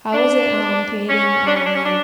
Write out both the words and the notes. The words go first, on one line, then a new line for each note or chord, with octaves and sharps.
How was it, um, creating, um, like,
D4
C#4
D4
C#4
D4
C#4
D4